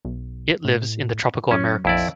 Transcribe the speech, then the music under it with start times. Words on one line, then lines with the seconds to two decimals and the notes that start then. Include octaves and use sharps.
It lives in the tropical Americas.
0.05 B1
0.65 A2
1.51 F#2 C#4
1.85 A#1 F2 E4 D5